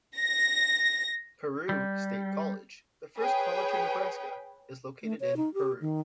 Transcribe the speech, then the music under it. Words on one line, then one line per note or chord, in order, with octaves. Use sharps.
Peru State College, the first college in Nebraska, is located in Peru.
A#6
G3
G#4 B4 C#5 G5
A3
C#5
D#4
G4
D#3